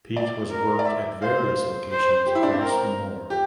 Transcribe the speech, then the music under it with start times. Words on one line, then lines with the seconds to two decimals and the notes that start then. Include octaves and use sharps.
Peat was worked at various locations across the moor.
0.16 D5
0.51 A#4
0.79 D5
0.86 E5
1.22 C5 F5
1.92 C5
2.26 G4
2.35 E4
2.43 D4
2.53 C4
2.61 A#4
3.30 G4